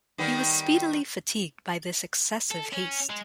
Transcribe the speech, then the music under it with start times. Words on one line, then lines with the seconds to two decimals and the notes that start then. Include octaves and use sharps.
He was speedily fatigued by this excessive haste.
0.18 D#3 G3 B3
2.51 A4
2.73 C#4
3.10 G#3